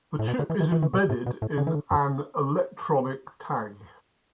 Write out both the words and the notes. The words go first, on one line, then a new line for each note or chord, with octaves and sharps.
The chip is embedded in an electronic tag.
A2
B2
D3
E3
E3
E3
E3
B2
A2
B2
A2
D3
E3
D3
F#2